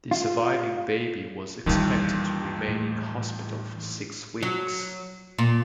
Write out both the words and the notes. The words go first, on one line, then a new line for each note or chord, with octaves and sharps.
The surviving baby was expected to remain in hospital for six weeks.
F4
D#2 A#2 D#3 E3 G3
A2
F#3
A#2